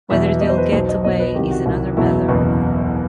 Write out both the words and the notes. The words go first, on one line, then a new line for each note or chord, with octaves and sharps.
Whether they'll get away is another matter.
E2 B2 F#3 E5
E5
E2 B2 F#3 D#5
C5
B4
B1 B2 F#3 C5
D#5
B1 B2 F#3 D#5
B4
C2 C3 D#3 G4
F#4
C2 C3 D#3
F#1 E2 B2 F#3 E4
F#1 E2 B2 F#3